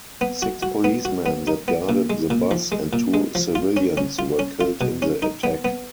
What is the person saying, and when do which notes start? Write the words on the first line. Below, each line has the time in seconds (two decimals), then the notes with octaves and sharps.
Six policemen that guarded the bus and two civilians were killed in the attack.
0.21 B3
0.42 F#4
0.63 F#4
0.84 B3
1.05 F#4
1.26 B3
1.47 D#4
1.68 B3
1.89 A#2
2.10 G#3
2.30 A#2
2.51 F3
2.72 G#3
2.93 A#2
3.14 G#3
3.35 F3
3.55 F4
3.77 C#4
3.97 C#4
4.19 F4
4.39 C#4
4.61 F4
4.81 B2
5.02 C#4
5.22 D#4
5.44 B3
5.65 B3